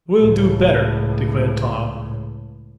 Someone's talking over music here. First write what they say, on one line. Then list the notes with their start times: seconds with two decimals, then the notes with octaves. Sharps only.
"We'll do better," declared Tom.
0.17 C#2 A2